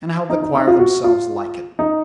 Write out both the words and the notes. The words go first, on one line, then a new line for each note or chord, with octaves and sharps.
And how the choir themselves like it!
D#4
D#4
D#4
F4
F#4
F4
D#4